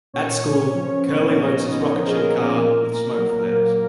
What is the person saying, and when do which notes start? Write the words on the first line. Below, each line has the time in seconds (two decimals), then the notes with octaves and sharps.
At school, Curley loads his "rocketship" car with smoke flares.
0.13 A#2 C#4 C#5
0.44 A#2
0.74 F3
1.05 B3
1.35 A#2 D#4 D#5
1.66 A#2 C#4 C#5
1.96 F3 A#4
2.06 G#4
2.16 A#3 A#4
2.26 B3
2.57 A#2
2.87 A#2
3.17 F#3
3.48 A#3